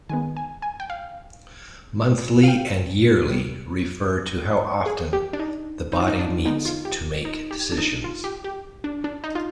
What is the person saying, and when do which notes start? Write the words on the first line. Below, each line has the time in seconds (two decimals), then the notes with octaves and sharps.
"Monthly" and "Yearly" refer to how often the body meets to make decisions.
0.09 D#3 G#3 B3 G#5
0.37 G#5
0.62 G#5
0.80 G5
0.90 F5
2.43 F5
2.48 G5
3.28 C3 G3 B3
4.86 G#4
5.13 G4
5.33 D4
5.39 D#4
5.92 D#4
6.00 F4
6.08 D#4
6.19 D4
6.45 D3 G#3 B3 D#4
6.65 F4
6.85 G4
7.25 D#4
7.51 G4
7.72 D4
7.78 D#4
8.04 F4
8.24 G4
8.44 G4
8.84 D4
9.04 D4
9.24 D#4
9.35 F4